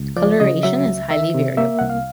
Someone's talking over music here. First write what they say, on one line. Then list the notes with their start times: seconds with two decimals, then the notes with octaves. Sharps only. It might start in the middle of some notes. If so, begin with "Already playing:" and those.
Coloration is highly variable.
Already playing: C#2
0.16 F3 D5
0.40 C#3 D#5
0.63 F#3 E5
0.87 C#2
1.11 D#3 E5
1.34 C3
1.57 A#3 E5
1.79 C2 F#5
1.90 F5